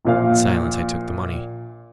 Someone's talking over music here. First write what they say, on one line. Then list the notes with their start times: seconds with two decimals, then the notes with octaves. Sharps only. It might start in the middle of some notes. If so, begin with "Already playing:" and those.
In silence I took the money.
0.05 A#1 A#2 F5